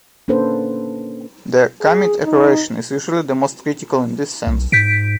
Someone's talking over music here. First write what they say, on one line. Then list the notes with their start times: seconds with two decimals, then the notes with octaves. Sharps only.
The "commit" operation is usually the most critical in this sense.
0.28 A#3 C#4 D4 A4 B4 C5
1.81 G#4
2.24 D#4
4.47 B1
4.72 G#2 G6 B6 D7